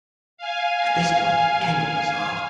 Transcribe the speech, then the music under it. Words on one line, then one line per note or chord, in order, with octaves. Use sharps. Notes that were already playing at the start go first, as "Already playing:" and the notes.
At this point, the game got bizarre.
F5 G#5